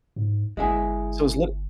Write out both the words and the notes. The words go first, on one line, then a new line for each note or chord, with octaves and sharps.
So, it was lit
G#2
G1 G#3 E4 G#4